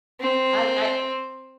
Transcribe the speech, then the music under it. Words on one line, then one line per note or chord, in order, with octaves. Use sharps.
I I
C4